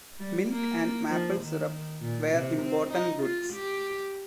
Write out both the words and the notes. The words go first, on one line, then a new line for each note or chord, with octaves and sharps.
Milk and maple syrup were important goods.
G3
A#3
F3
D#3
A#2
C3
C4
D#4
F4
G4